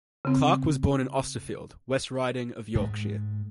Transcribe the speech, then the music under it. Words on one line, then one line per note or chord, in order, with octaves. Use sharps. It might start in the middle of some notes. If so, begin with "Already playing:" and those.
Clarke was born in Austerfield, West Riding of Yorkshire.
C#3 C4
G#2 G#3 A3